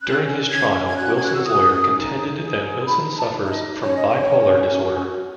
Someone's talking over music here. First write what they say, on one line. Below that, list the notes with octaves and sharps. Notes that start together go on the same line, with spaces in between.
During his trial, Wilson's lawyer contended that Wilson suffers from bipolar disorder.
C#4 F#6
C#4 G#6
G#6
F#4 F#6
G#6
F#6
E6
C#4 D#6
D#4
G#4
D#4 B5
A5
D#4
E5
D#5
C#4 C#5
D#5
C#5
C#4
F#4